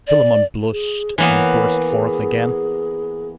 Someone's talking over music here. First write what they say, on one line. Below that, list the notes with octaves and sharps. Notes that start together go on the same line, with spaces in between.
Philammon blushed and burst forth again.
D5
G#4
E3 A#3 B3 C#5
G#4